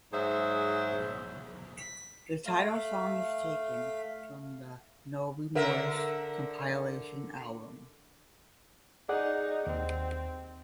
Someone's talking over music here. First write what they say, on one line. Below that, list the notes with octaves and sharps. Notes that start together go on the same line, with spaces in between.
The title song is taken from the "No Remorse" compilation album.
G#2 F#3 G#4 C5 C#5 E5
A3 F5
D3 A#4 E5
D#4 G#4 D5 F#5
D#2 C4